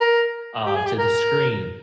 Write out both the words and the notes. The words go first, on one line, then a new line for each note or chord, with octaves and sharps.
uh, to the screen,
A#4
G4
G#4
G4
A#4